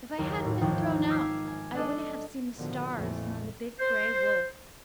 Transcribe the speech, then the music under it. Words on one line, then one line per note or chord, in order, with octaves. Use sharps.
"If I hadn't been thrown out I wouldn't have seen the stars, nor the big gray wolf."
F#1 D#2 A#4
A2
G#1 D#2 D#3 F3
D6 E6 F6 G#6 B6 C7
G#5
D4 A4 D#5
A1 B2 D3 D#3 F3
A#1 F2 E3 A3
C5